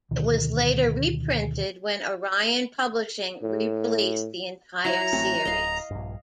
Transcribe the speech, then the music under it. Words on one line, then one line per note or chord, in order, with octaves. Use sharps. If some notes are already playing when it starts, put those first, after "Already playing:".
It was later re-printed when Orion Publishing re-released the entire series.
D2 B2 D3 D#3
A2
F#3 E4 F#4 A#5
A1 A3 C4 F#4
D1 D#5 F5
A#1 G2